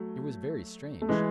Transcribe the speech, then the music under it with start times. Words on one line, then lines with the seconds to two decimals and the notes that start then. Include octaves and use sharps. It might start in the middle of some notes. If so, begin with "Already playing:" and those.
It was very strange!
Already playing: F#3 A3
1.02 A3
1.09 E3 G#3